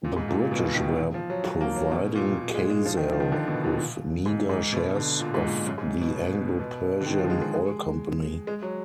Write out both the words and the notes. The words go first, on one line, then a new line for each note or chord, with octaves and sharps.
The British were providing Khaz'al with meager shares of the Anglo-Persian Oil Company.
A#2
G#2
A#2
A#2
B2
D#3
F3
F#3
F#3
A#3
F#3
B2
A#2
A#2
G#3
G#3
F3
D#3
F3
D#3
D3
B2
A#2
G#2
G#2
B2
D3
A#2
G#2
A#2
F#2
G#2
B2
B2
D3
D#3
F3
G#3
G#3
G#3
F#3